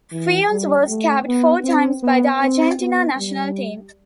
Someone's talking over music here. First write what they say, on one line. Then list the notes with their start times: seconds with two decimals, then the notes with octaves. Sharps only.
Funes was capped four times by the Argentina National Team.
0.12 E3
0.50 G3
0.88 A3
1.27 B3
1.64 C4
2.03 B3
2.41 C4
2.80 B3
3.17 G3